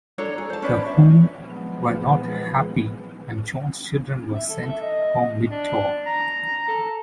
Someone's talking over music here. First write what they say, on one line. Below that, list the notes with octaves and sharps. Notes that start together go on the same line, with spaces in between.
The Who were not happy and John's Children were sent home mid-tour.
D4 A4 C#5 A#5
G#4
C5 A5
C#4 D4 B4 D5
E5
A#2 D#3 F3 F#3 G#3 B3
E5
A4
E5
D#5
D4
A#5
A4